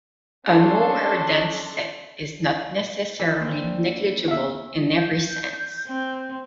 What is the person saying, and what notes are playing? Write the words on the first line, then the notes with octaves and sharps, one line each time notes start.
A nowhere dense set is not necessarily negligible in every sense.
C#4 D4 A4 C6
E3
A#3 C4 D4
B3 E5 F5
G6
C4